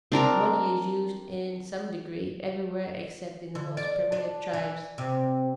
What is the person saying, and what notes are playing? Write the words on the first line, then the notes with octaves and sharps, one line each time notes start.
Money is used, in some degree, everywhere except in the most primitive tribes.
C4 D4 A#4 A#5
D3
D5
D4
E3
C3